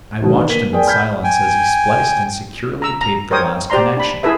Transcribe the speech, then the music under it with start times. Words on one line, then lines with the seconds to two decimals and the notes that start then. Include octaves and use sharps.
I watched him in silence as he spliced and securely taped the last connection.
0.22 G#1 G#2 B2 F#3
0.33 B3 D4
0.49 A#3 B6 D#7
0.73 G#4 A#4 D5 G5
0.86 A5 B5 F6 G6 B6
1.24 G5 G#5
2.82 A#5 E6
3.01 A#5
3.31 A#4 C5 C#5 G5 D#6
3.70 G4 C5 D5 A#5 C6
3.97 D4 B5
4.23 E4 G#4 A4 B4 E5